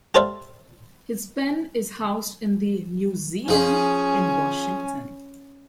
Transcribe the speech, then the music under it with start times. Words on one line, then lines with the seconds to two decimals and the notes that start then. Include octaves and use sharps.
His pen is housed in the "Newseum" in Washington.
0.15 G4 A4 C5 D5 E5 F5
3.48 F3 C#4 G#4 G#5